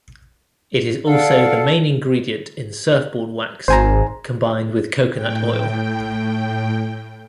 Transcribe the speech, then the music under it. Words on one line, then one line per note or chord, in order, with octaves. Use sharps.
It is also the main ingredient in surfboard wax, combined with coconut oil.
A4 D5 F5 F#5
G#1 C5 G#5 A#5
A2 G5